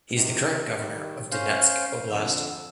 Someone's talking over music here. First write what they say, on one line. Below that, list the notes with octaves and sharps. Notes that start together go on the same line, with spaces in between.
He is the current Governor of Donetsk Oblast.
C3 D#3
D#3 G3
C#4 C5 F5
F2 D3 E6